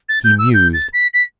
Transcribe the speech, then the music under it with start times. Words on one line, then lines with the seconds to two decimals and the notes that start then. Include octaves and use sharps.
He mused.
0.09 A6
0.24 G6
0.38 E6
0.54 G6
0.73 A6
0.93 B6
1.13 B6